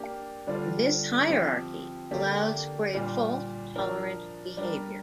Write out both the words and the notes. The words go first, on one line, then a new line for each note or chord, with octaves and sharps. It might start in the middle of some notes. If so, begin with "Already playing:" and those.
This hierarchy allows for a fault tolerant behavior.
Already playing: A#3 D4 G4 A#4
D3 G3 D4 F4 C5
F3 C4 G4 C5
D3 A#3 D4 G4
A#2 G3 D4 F4
F3 D4 A#4
G3 D4 A#4